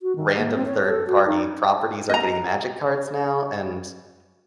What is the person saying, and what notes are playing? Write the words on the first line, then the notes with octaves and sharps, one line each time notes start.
random third-party properties are getting Magic cards now, and
F#4
D#3
A#3
C4
C#5
A4
F#4
D#4
D#5 A#5